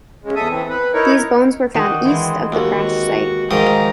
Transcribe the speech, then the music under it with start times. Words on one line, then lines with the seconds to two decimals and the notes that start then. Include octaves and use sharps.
These bones were found east of the crash site.
0.24 C#3 G#3
0.36 E2 A4 E5 D#6
0.50 E3 C4
0.69 B4
0.94 D#4 E4 A#4 C#5
1.74 D#3 D4 F#4
2.05 E3 G#3 C4
2.52 D#2 F#4
3.51 G#2 D#3 F3 A#5 D#6